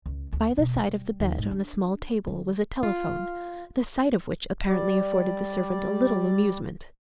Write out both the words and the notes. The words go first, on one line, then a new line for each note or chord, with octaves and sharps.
By the side of the bed on a small table was a telephone, the sight of which apparently afforded the servant a little amusement.
C#2
D2
B2
G3
D#2
G#2
D4
D3
F4
G3 D5